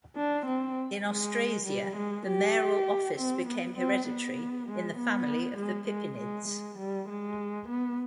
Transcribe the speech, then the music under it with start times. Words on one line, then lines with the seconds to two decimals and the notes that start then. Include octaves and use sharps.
In Austrasia, the mayoral office became hereditary in the family of the Pippinids.
0.17 D4
0.46 C4
1.07 G#3
1.67 G3
1.97 G#3
2.27 G4
3.18 C4
3.48 B3
3.78 C4
4.08 B3
4.68 G#3
4.98 B3
5.58 G#3
5.88 G#3
6.18 G#3
6.48 G#3
6.79 G3
7.09 G#3
7.69 B3